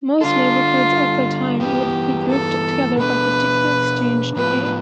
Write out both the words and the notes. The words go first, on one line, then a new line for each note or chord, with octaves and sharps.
Most neighborhoods at the time would be grouped together by a particular exchange name.
D3 G3 D4 F4 A4
G2 E3 B3 G4
A4
B2 B3 D4 B4
A2 F3 B3 F4 B4